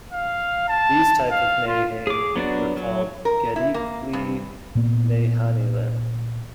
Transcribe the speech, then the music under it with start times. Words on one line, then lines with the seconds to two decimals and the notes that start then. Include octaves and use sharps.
These type of meyhane were called "Gedikli Meyhaneler".
0.13 F5
0.68 A5
1.31 F5
1.67 F4
2.07 G#4 D6
2.36 F#3 B3 D4 F#4 D5
2.76 F#3
3.25 A#4
3.56 E4
3.74 A#3
4.13 G2
4.75 A#2 A#3 B3